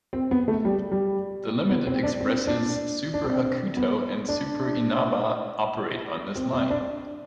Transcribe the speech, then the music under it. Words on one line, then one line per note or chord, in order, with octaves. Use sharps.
The limited expresses "Super Hakuto" and "Super Inaba" operate on this line.
C4
B3
A3
G3
G3
B3
C4
D4
C4
D4
D4
C4
B3
D4
C4
C4
D4